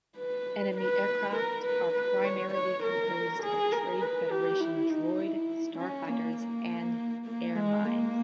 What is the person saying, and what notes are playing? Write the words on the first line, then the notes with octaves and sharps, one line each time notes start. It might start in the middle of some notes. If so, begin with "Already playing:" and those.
Enemy aircraft are primarily composed of Trade Federation Droid starfighters and air mines.
B4
B4
A#4
B4
B4
C#5
C#5
A#4
G#4
A#4
B4
G4
E4
D#4
E4
C#4
A#3
A#3
A#3
G#3
A#3